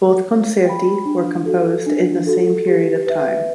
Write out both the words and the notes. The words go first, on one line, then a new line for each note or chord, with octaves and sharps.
Both concerti were composed in the same period of time.
C#5
G5 B5
D4
F#4 A4
D4
F#4 A4
G4
B4 E5